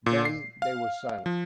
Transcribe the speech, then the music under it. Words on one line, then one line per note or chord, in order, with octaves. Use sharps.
Then they were silent.
A#2
C7
F5
F3